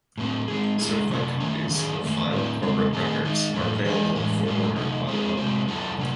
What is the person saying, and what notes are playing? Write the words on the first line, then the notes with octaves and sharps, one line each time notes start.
Certified copies of filed corporate records are available for order by the public.
A2 F#3 C4
G#3 C4 D#4 G#4
G#3 C#4 E4 G#4
C3 F#3 C#4
D#3 A3 C#4
D#3 F#3 C#4 G#4
D#3 A3 C#4
A2 F#3 C4 E4
C#3 G#3 C4
D#3 A3 C4 D#4 G#4
D#3 G#3 D#4
A2 F#3 C#4
E3 G#3 D#4 G#4
A2 E3 G#3 C#4
A2 G#3 C#4 F#4
C3 F#3 A3 D#4
G#3 C4 E4 G#4
C3 D#3 G#3 C4 F#4
F#3 C#4 E4 A4
C3 F#3 C#4